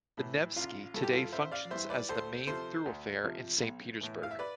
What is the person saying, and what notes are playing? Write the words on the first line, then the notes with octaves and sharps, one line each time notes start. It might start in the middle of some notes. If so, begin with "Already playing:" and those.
The Nevsky today functions as the main thoroughfare in Saint Petersburg.
A2 E3
A1 F4
G2 E3 A4
G4
F4 A4
A1 C5 E5
D5 F5
G2 E3 C5 E5
B4 D5
D2 A4 C5
C3 F3 A4 C5
D2
C3 F3
B1
A2 E3
F5
E5
B4 D5